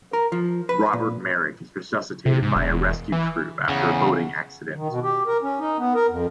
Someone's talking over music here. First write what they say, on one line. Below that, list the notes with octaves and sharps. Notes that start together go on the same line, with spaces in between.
Robert Merrick is resuscitated by a rescue crew after a boating accident.
A#4
F3
B4
A#2
C3
G#2
E1
E3
E2 C#3
D#3
B2
G4
A#4
C#4
D#4
B3
A#4
F2